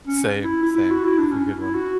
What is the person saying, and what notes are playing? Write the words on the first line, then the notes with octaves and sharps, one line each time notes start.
Same, same. Have a good one.
C#4
E4
E4
E4
F#4
E4
D4
C#4
E4
F#4